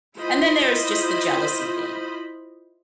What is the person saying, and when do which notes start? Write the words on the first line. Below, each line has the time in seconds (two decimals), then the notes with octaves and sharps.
and then there is just the jealousy thing.
0.17 E4 F4 C5 D#5 B5